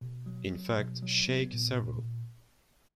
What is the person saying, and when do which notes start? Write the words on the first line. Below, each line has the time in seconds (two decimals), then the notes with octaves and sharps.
In fact, shake several.
0.01 B2
0.26 F#3
0.52 F#3
0.77 B2
1.02 F#3
1.28 B3
1.53 A#2
1.79 A#2